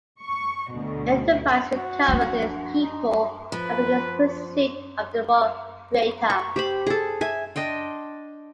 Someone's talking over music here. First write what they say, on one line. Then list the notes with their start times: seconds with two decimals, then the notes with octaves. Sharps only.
"Enterprise" recovers its people and begins pursuit of the rogue freighter.
0.20 C#6
0.72 D2 B2
1.75 F#4
2.08 F3 D4
2.48 F#4
2.81 D#4
3.52 F3 B4
6.30 C#6
6.56 G4 C5 B5
6.86 G#4 A4
7.21 E5 G#5
7.56 D4 D#5 G5 C6